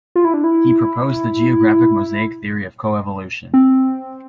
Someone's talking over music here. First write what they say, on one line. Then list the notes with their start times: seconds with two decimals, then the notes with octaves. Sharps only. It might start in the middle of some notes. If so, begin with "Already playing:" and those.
He proposed the geographic mosaic theory of coevolution.
0.16 F4
0.25 E4
0.34 D4
0.44 E4
3.54 C4